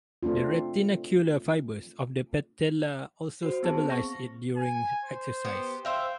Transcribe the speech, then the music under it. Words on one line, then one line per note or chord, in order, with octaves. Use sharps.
The retinacular fibres of the patella also stabilize it during exercise.
A3 C4 D4 F4
F#4 C5
B3 C4 G#4 C5 A5
C4 C#6 A#6
G#5
C5
B3 G4
C5 E5 F5 G5